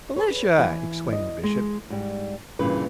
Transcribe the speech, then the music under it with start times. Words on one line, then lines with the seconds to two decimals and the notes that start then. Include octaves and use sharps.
"Felicia!" exclaimed the Bishop.
0.16 G#4 B4 C#5
0.59 E3 G#5
1.13 D#5
1.43 G#3
1.90 G#2 G3
2.59 G2 A#2 C#3 E3 A#3 B4